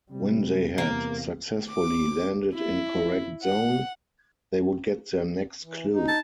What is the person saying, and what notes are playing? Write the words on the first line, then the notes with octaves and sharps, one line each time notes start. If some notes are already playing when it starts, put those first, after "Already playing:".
When they had successfully landed in correct zone, they would get their next clue.
C3 G3
E2 C3 A#3
D6
E4
F#5
E3
D#4
A5